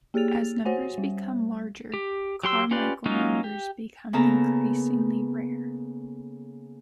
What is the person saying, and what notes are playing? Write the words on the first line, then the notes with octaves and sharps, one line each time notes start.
As numbers become larger, Carmichael numbers become increasingly rare.
A#3 G4 G#4 A6 F7
F#4 C5 C#5 F#5 G#5
G3
G4
F#3 G4 C6 E6
C#4 F4 G4 B4 D5
F#3 A#3 C#4 D#4 F4
G4
C#3 A#3 B3 A4 A5 A#5